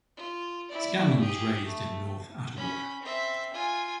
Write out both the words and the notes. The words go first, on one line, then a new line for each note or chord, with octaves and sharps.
Scanlon was raised in North Attleborough.
F4
E4 D5
G4 G#4
A3
C#4 B5
C4 E5
F4 G#5